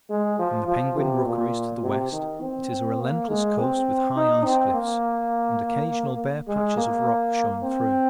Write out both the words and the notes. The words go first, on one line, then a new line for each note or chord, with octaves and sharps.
From the penguin rookeries to the west it is a relentless coast with high ice cliffs and occasional bare patches of rock showing through.
G#3
F3
F3
C3
A#2
C3
D#3
C4
C4
A#3
G#3
C4
D#4
C4
A#3
G#3
A#3
C4